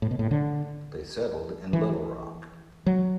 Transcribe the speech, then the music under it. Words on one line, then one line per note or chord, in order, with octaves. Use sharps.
They settled in Little Rock.
A2
B2
A2
D3
E3
F#3